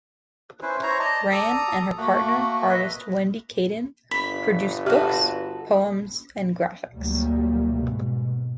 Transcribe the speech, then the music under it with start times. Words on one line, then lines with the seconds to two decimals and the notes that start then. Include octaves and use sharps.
Grahn and her partner, artist Wendy Cadden, produced books, poems, and graphics.
0.62 C#4 E4 B4 C5
0.83 E4 C5 C#5 A#5
0.99 D5 D#5 A5 A#5
1.32 A4 D5 A#5 D#6
1.97 A3 A#3 F#4
2.68 B4 D#5 E5
4.11 G1 B5
4.86 F#4 G4 A4 B4 E5 F6
6.93 D2 A#2 F#3 G3 A3 A#3
7.74 G#2 B2